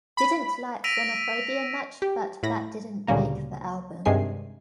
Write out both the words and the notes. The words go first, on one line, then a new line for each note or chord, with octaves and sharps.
Didn't like Xenophobia much but that didn't make the album.
B5
E6 A#6 B6 D7 D#7 F7
G4
A2 B5 A#6
D2 A#2 C#3 G3 A#3 A#4
G2 C3 D#3 G#3 G#5 C7